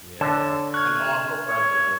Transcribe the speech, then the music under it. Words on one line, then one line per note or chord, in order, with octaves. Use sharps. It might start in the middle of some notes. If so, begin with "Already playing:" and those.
Yeah, an awful president.
D3 C#5 A5
C#6 F6 F#6 G#6
C#5